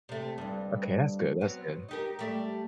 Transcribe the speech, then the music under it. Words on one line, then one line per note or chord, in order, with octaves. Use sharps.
Okay. That's good, that's good.
C3 A3
D2 G2
F#3 B3 C4
D#4 G4 A#4
G3 A3 G4